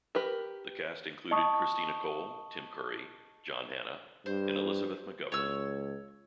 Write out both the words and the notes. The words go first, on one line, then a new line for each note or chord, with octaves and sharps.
The cast included Christina Cole, Tim Curry, John Hannah and Elizabeth McGovern.
G4 A#4 B4
D#5 A5 C#6 D#6
G2 C5
C#2 C#5 E6